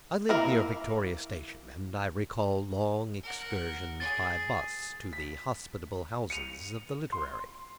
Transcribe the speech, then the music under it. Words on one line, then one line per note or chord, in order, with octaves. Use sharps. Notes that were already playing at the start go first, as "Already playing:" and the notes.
I lived near Victoria Station, and I recall long excursions by bus to the hospitable houses of the literary.
A#3 E4 A#4
A#4 F#5
G#4 A6
B6
C#7 D#7 F7
C6